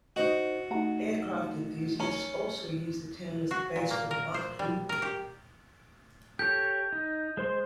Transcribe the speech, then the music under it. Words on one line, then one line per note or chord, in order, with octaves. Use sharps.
Aircraft enthusiasts also use the town as the base for the Mach Loop.
D#4 F#4 C5 D#5
A3 D#4 F#5 A#5
C#4 A#4 A#5
F#4
A#2
A#3
A#4
C5
G3
A#4
G4
G4 A4 C#5 G6
D#4
G#3 C5 C6